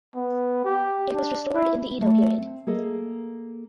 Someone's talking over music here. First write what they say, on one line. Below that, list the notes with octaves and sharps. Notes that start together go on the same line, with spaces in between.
It was restored in the Edo period.
B3
G4
D4
E4
A3
C4
A#3 G#4 A4 D#5